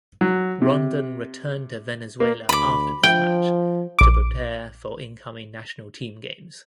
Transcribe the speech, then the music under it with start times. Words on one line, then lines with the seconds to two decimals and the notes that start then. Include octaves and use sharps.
Rondon returned to Venezuela after this match to prepare for incoming national team games.
0.21 F#3
0.62 C3
2.20 A#3
2.49 D2 B5 D6
3.03 F3 G5
3.99 A#1 D6